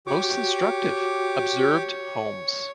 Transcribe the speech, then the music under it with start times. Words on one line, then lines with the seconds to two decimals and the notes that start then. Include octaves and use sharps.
"Most instructive," observed Holmes.
0.07 F#4 G4 C#5 D6